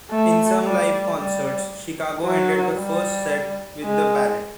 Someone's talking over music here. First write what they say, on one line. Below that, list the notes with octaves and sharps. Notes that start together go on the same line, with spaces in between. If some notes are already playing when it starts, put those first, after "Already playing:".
In some live concerts Chicago ended the first set with the Ballet.
A3
G3
G3
F#3
G3
G#3